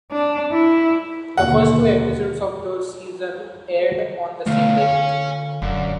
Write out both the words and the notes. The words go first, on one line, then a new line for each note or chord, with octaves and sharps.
The first two episodes of the season aired on the same day.
D4
E4
D#2 B2 D3 F#5
B2 D3 A3 F4
C#5 G#5
E1 F#2 D3